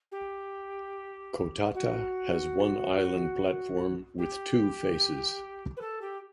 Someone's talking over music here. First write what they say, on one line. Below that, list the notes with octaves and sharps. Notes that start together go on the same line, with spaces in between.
Kotata has one island platform with two faces.
G4
F#4
G4
B4
A4
G4